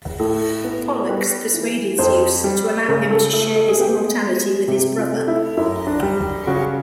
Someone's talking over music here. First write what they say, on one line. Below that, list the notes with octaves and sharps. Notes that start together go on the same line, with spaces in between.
Pollux persuaded Zeus to allow him to share his immortality with his brother.
A2 A4
B3
G3 B4
E3
F2 C5
G3
C#3 A#4
A4
A3 A4
A4
G#4
B3 G4
G#4
G#3
C3 G4
F4
A3
E4
F#2 E4
D4
G3
C#3 F#4